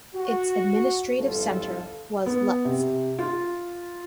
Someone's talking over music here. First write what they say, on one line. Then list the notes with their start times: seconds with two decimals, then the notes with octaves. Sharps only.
Its administrative centre was Lutsk.
0.14 F#4
1.19 G1 C2 F3 E4 F4 A4
2.26 B3
2.65 C3
3.19 F4